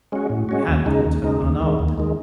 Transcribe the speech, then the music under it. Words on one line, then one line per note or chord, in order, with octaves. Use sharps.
I had thought her unarmed.
G#3 C#4 F#4
A2
G#3 C#4 F#4
D#2
C#3 G#3 D#4
D#2
C#3 G#3 D#4
D#2
D#3 G#3
D#2
D#3 G#3